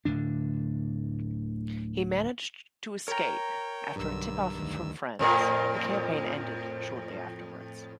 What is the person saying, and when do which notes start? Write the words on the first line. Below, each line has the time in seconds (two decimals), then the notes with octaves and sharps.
He managed to escape after a tip-off from friends; the campaign ended shortly afterwards.
0.05 D1 A2 D3 D4
3.08 A#4 C#5 G5 A#5
3.96 B1 G2 D3 E6
4.54 D2 D#3
5.19 F2 A2 A#4